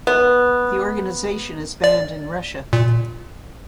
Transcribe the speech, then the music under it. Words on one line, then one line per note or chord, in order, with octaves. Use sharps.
The organisation is banned in Russia.
B3
D5
A#2